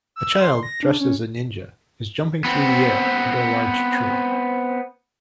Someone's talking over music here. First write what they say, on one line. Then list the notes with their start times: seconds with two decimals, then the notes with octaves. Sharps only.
A child dressed as a ninja is jumping through the air under a large tree.
0.16 E6
0.40 C6
0.63 A#6
0.83 D4
1.00 C#4
2.44 B3 C4